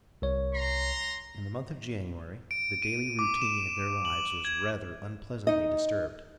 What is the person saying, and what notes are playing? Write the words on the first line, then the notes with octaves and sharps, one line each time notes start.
In the month of January, the daily routine of their lives was rather unpleasantly disturbed.
C2 C#5
A#5 C6
D7
D#7
D6
E7
F#7
G#6
D#4 D#5